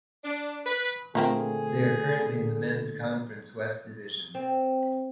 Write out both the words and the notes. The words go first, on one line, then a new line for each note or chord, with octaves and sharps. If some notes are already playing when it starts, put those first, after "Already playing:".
They are currently in the Men's Conference West Division.
D4
B4
A#2 D3 F3 A3 A#3 C4 G#4
C4